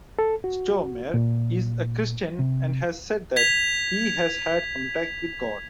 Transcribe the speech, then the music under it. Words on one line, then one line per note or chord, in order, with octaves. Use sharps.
Stormare is a Christian and has said that he has had contact with God.
A4
F#4
A#2
C3
G#6 B6 F7